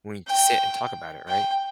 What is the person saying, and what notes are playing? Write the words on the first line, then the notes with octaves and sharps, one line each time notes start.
we need to sit and talk about it. Right?
G5
G5